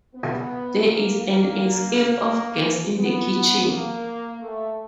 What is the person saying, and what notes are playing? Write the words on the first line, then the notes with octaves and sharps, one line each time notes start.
There is an escape of gas in the kitchen.
B3
A#3
A#3
B3
A#3
A3